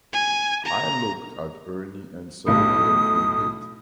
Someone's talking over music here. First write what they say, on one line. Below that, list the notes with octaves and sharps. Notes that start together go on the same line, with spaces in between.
I looked at Ernie and saw he had been hit.
G#5
A#5
B1 A2 D#6